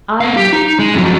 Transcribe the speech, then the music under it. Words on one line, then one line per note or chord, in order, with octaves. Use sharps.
"I have no one."
B3 F5
G4
D#4
G#3
F2 F#3